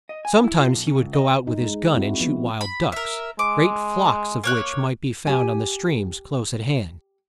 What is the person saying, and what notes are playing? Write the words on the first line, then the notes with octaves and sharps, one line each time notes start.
Some times he would go out with his gun and shoot wild-ducks, great flocks of which might be found on the streams close at hand.
D#5
G#5
E4
F4
B1
C#4
C#2
D#5
D#4
G#3
C4 E4 F#4
F3 B3
B5
A#4 E5
G#3 D6
A#3 C#5 F#6
G4 G#5